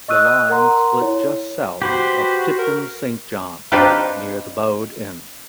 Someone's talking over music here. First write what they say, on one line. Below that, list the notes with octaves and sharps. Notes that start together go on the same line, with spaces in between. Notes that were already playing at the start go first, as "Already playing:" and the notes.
The line split just south of Tipton Saint John, near the Bowd Inn.
D#5 C#6 D#6 E6 F#6 D#7
A#4 F#5 A#5 C6
E4 C#5
F#4 G4 B4 C5
A#4
C4 D4 D#4 F4 G4 B4